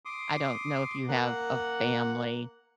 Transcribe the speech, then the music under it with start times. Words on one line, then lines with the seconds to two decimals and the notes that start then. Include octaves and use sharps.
I don't know if you have a family,
0.05 C6 D6 D#6
1.08 A#3 F#5